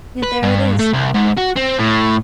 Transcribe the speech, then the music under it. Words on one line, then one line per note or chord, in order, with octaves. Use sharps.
Yet there it is.'
B4
G2
A3
C2
G#2
F#4
C4
A2